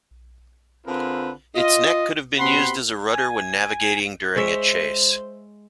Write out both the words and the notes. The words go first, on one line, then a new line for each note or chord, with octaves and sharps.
Its neck could have been used as a rudder when navigating during a chase.
D3 C4 F4 G#4 A#4 B4
F4 D#5
B2 C4 G4 F#5 B5 C6
G#5
G#3 C5 C#5 E5